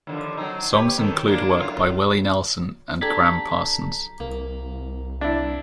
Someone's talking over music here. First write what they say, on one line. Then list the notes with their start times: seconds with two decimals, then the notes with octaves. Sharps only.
Songs include work by Willie Nelson and Gram Parsons.
0.07 D#2 D3 F3
0.37 F#3 C4 D#4
0.73 G4 B4 C#5
0.98 D#3 A4
1.25 G#3 A#3 D4
1.57 F#2 A2 F4
3.01 D4 G4 A4 A#5 G#6 B6
4.20 C2 A#3
5.21 D4 E4